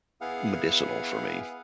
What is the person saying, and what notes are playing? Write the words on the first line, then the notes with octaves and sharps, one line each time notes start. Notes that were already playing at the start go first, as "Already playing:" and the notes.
medicinal for me.
B3 E4 G#4 F5 F#5